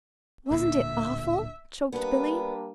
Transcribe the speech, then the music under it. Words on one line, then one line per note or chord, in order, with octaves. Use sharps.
"Wasn't it awful!" choked Billy.
D1 A#2 D3 E5
G3 A#3 B3 D4 B4